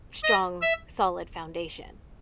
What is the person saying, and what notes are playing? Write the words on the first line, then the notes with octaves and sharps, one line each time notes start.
strong, solid foundation.
D#5
E5